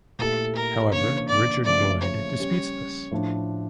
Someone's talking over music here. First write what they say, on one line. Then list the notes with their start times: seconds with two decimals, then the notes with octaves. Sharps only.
However, Richard Lloyd disputes this.
0.19 A#2 A3 E4 G4 A4
0.56 A#4
0.92 C#3 E3 A#3 D4 C#5
1.29 D5
1.65 C#3 F3 A3 D5
2.02 C#5
2.38 G3 C#4 G4
3.11 A2 F3 A3 D4